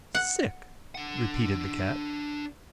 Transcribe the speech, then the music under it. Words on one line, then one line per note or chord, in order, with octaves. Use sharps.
"Sick!" repeated the Cat.
F#5
D4 F#5